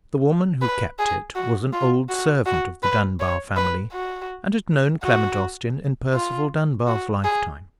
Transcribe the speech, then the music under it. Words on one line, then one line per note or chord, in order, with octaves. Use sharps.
The woman who kept it was an old servant of the Dunbar family, and had known Clement Austin in Percival Dunbar's lifetime.
B4
G#4
F#4
F4
F#4
F#4
B4
C#5
B4
F#4
F#4
F4
F#4
G#4